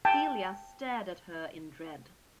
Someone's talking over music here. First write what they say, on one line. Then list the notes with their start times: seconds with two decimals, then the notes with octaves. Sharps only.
Celia stared at her in dread.
0.05 G5 A5